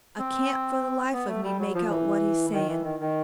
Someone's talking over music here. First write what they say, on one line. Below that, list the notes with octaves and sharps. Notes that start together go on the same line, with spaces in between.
I can't for the life of me make out what he's saying.
C4
B3
A3
G3
F#3
F3
E3
D#3
E3
D#3
D#3